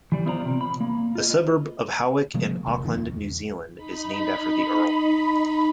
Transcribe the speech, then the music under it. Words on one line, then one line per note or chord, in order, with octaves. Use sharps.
The suburb of Howick in Auckland, New Zealand, is named after the earl.
E3 G3 D5
B3 E4 F4 C5 D5 A#5
C3
B5
A#3
F4 D#5
C3 F3 G#3 A#3
E1 A#1 A#2 C#3
A1 F2 D#3
E2
D#4 B5